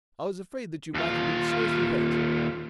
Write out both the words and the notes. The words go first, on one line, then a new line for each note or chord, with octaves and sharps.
I was afraid that you might have been seriously hurt.
D#2 F4